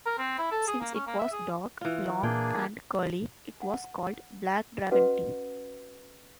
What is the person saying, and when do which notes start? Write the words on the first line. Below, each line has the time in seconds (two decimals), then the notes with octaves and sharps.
Since it was dark, long, and curly, it was called Black Dragon tea.
0.06 A#4
0.18 C4
0.38 E4
0.51 A4
0.67 G#4
0.81 A#3
0.95 C#4
1.07 A#3
1.19 E5
1.32 G#4
1.81 E3 F4
2.23 A#2 A#3 D4 G#4 G5
3.62 F#5
4.91 C#4 F#4 B4 D#5 F#5